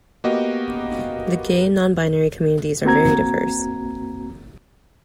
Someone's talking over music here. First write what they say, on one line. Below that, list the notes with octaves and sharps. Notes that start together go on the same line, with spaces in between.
The gay and non-binary communities are very diverse.
A#3 B3 F#4 G4 D#5
A#3 C4 F#4 A#5 G#6